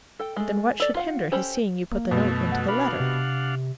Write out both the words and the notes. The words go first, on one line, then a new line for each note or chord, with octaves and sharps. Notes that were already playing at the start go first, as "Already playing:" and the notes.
"Then what should hinder his seeing you put the note into the letter?"
A4 G5
G#3 A3
A4 D5
F4 F5 F#5
C#4 G4 A4 C5 B5
A#3
F#2 B2 A3
F#5
D4 F5 F#5 B5
C3